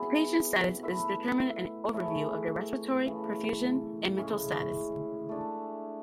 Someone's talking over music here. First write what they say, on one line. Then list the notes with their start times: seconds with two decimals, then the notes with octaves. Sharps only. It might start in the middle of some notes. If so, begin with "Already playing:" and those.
The patient's status is determined an overview of their respiratory, perfusion, and mental status.
Already playing: F#3 B3 E4 G#4
0.82 A3 E4 B4 E5
1.93 A3 E4 G#4 C#5
3.05 C#3 E3 A3
4.17 A2 G#3 C#4 E4
5.29 A3 D4 G#4